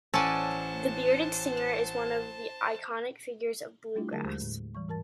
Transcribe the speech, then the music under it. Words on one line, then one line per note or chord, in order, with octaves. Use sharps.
The bearded singer is one of the iconic figures of bluegrass.
A1 C#4 A4 C5 D5 F#5 G#5 A5
G3 A3 D4 E4 F4 G4
D3 F#3 A3 G#4 A#4 A5
D#2 G#3 G4 C5
A2
E3 G3 C#6
G#2 E3 A#4 A5 A6